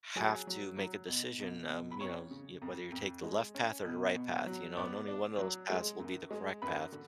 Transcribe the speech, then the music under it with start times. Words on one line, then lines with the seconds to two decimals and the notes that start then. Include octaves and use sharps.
have to make a decision, um, you know, you whether you take the left path, or the right path, you know, and only one of those paths will be the correct path.
0.16 F#3 G#4 G#5
0.47 F#3
0.77 F#3
1.08 B2
1.40 B2
1.70 B2
1.91 B5
2.00 F2 C#5 C#6
2.31 C#3
2.62 F2
2.92 F2
3.23 G#3
3.55 C#4
3.85 B2
4.16 B2
4.47 F#3
4.77 B3 D5 D6
5.08 D4
5.38 F#3
5.70 G#3
6.00 F#2
6.31 G#3
6.62 F#2 B4 B5
6.92 D3